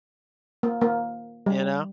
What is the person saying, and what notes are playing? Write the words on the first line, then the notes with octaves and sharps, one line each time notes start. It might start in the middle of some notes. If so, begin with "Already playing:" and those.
You know?
A#3
A#3
G3